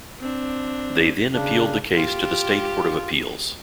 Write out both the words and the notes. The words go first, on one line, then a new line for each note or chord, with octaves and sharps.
They then appealed the case to the state Court of Appeals.
C4 D4
C#3 D4
F4 G4